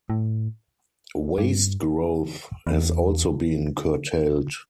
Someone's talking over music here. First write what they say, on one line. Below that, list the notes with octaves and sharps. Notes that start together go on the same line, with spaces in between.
Waste growth has also been curtailed.
A2
G2
E2